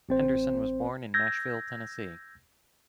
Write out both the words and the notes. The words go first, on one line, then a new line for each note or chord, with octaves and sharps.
Henderson was born in Nashville, Tennessee.
A1 C4 C5
E6 G6 G#6 A#6